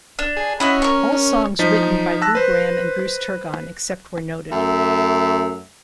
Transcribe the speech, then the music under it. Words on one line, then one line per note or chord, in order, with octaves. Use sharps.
All songs written by Lou Gramm and Bruce Turgon except where noted.
D4
G#4
C#4 E4 F#4 D#5
A#4 C#6
F3 D#4 B6
A5 E6 F#6 A#6
B4 C5
F#2 A3 E5